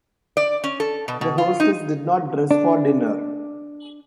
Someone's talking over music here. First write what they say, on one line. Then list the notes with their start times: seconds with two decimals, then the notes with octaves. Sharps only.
The hostess did not dress for dinner.
0.37 D5
0.64 C#4
0.80 A4
1.08 B2
1.21 B2
1.38 F4
1.60 D#4
2.51 D4